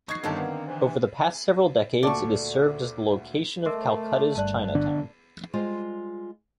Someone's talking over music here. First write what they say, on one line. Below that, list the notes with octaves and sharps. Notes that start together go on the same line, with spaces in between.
Over the past several decades, it has served as the location of Calcutta's Chinatown.
D#4 F#4 C#6 G#6 C7
G1 D3 D#3 A#3 C4 G4 A4
B3
C3 E3
D2 A#2 F#4 A4 D5 C#6
A3 A#4 D#5 E5 C6 D6
G1 G2 D5 A5 F#6
D3 B3 D4
G3 G#3 F4 C5 D#5 F5